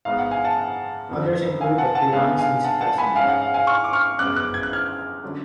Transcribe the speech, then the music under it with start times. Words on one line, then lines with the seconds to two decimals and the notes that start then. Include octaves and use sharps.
Others include the "Kiwanis Music Festival".
0.05 G#2 G#3 B3 F5
0.19 F#5
0.31 F5 G#5
0.44 F#5 A5
0.57 F#5
1.09 F#1 F2 F3
1.61 F5 G#5
1.78 F#5 A5
1.95 F#5 A5
2.12 G#2 G#3 B3 D4 F5 G#5
2.38 F5 G#5
2.64 F#5 A5
2.81 F#5 A5
2.98 G#5 B5
3.16 G#2 G#3 C#4 F5 G#5
3.29 F#5
3.42 F5
3.54 F5 G#5
3.67 C#6 F6
3.84 D6
3.93 C#6 F6
4.19 F#2 C#3 G#3 B3 D6 F#6
4.36 D6 F#6
4.54 G#6
4.63 F#6
4.73 F6 G#6
5.24 D3 F#3 C#4